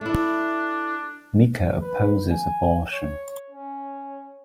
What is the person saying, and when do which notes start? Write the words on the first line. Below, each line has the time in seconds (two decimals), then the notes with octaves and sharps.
Mica opposes abortion.
0.01 A3 D4 E4
1.81 B4
2.31 G#5
2.92 C#5
3.50 C#4